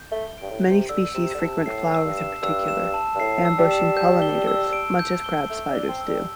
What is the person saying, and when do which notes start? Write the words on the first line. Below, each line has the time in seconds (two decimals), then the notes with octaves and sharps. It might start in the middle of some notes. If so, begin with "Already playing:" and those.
Many species frequent flowers in particular, ambushing pollinators, much as crab spiders do.
Already playing: G6
0.12 A3 G7
0.38 G2 D7
0.50 A2
0.63 G6
0.70 C3
0.89 D3 E6
1.14 C3 E7
1.34 D3
1.40 C3 A5
1.66 A2 C7
1.91 E6
2.04 G2
2.17 E7
2.42 G2 E6
2.68 E7
2.94 A5
3.15 G2
3.20 A2 C7
3.45 E6
3.59 G3
3.71 E7
3.97 G6
4.22 G7
4.47 E6
4.73 D7
4.99 G6
5.24 G7
5.50 A3 G6
5.70 D4
5.75 G7
5.88 C4
6.01 E6
6.08 G3